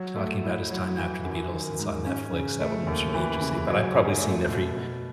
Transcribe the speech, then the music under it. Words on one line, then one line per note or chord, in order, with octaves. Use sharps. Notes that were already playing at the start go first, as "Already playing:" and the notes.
talking about his time after the Beatles, it's on Netflix, that one was really interesting, but I've probably seen every
Already playing: F#3
A3
E4
F#3
E3
F#2
D#3
G#2
C#4
C#3
A3
D#2
E3
C#3
F#3
F#2
A3
B2
B2